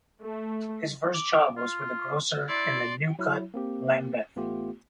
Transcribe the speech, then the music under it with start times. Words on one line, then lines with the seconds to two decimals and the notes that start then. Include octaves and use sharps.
His first job was with a grocer in the New Cut, Lambeth.
0.21 A3
1.14 D6
1.57 F4
2.48 E4 D5 C6
3.19 F#3 E4
3.54 A#3 C4 G4
4.36 A1 A3 B3 F4 G4